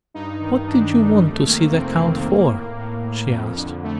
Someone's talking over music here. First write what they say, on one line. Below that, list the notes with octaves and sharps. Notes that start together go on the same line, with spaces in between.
"What did you want to see the count for?" she asked.
G2 D#4
D#3
G2 D4
D#3 A3
F2 G3
A3
C3 D#3 A#3
A#3
F2 C4
C3 D#3
A2 A#3
A2
F2
D3
A3